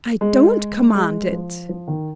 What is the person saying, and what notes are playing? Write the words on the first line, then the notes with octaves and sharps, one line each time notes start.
"I don't command it!"
G#3
G#3
F3
F3
D#3